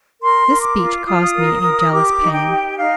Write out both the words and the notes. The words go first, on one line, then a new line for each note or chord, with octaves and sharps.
This speech caused me a jealous pang.
A#4 C6
A#4
D6
F4
F4 D#6
D#6
A#4
A#4
G4 D6
D#4
G5
G4
D#4 F5